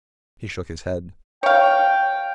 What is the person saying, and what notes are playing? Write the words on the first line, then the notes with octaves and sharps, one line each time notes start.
He shook his head.
C#5 F5 G5